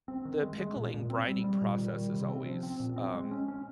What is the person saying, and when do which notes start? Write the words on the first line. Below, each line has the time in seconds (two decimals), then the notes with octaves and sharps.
The pickling brining process is always, um,
0.08 C4
0.25 D#3
0.43 G#3
0.59 G#3
0.76 A#2
0.94 A#2
1.10 C4
1.27 G3
1.44 G3
1.61 A#2
1.78 D#3
1.96 G3
2.12 C3
2.28 C4
2.46 F3
2.63 C4
2.80 A#2
2.96 C4
3.14 G#3
3.31 C#4
3.48 C#4